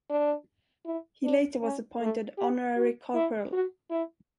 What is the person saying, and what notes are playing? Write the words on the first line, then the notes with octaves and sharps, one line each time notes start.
He later was appointed honorary corporal.
D4
E4
D4
C#4
A3
G4
F#4
E4
F#4
E4